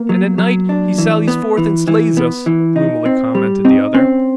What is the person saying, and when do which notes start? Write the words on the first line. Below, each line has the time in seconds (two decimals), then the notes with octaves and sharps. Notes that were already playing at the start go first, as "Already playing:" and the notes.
"And at night he sallies forth and slays us," gloomily commented the other.
Already playing: A#3 B3
0.09 F#3
0.38 F#3
0.69 D4
0.98 E3
1.28 B3
1.57 E3
1.88 E3
2.17 B3
2.46 E3
2.76 D#4
3.05 C4
3.35 G3
3.65 C4 D#4
3.94 C4 C#4